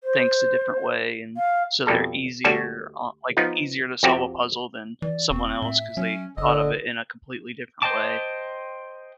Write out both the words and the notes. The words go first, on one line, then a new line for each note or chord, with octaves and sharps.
thinks a different way, and so they're easier o like, easier to solve a puzzle than someone else 'cause they thought of it in a completely different way.
C5
F5
F2 B2 G3 A4 A#5
D2 G3 F#4 A4 C#5 G#5
F3 B3 D#4 F4
F2 C4 F#4 G4 A#5
E3 D5
E1 C4 C#6
A2 E5
F#3 C#4
G1 D3 D#5 E6
C5 D#5 G5 A5 D6